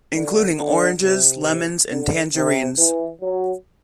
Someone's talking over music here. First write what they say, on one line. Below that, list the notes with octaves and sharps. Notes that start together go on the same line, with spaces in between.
Including oranges, lemons, and tangerines.
D3
D3
C3
D3
C3
E3
F#3